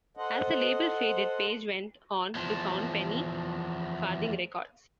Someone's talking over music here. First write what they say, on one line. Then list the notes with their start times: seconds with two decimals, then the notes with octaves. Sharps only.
As the label faded, Page went on to found Penny Farthing Records.
0.17 A4 C5 D#5 F#5
2.35 E2 F3